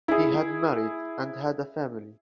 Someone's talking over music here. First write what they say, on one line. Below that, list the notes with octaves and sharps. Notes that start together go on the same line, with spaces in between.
He had married and had a family.
E4 G#4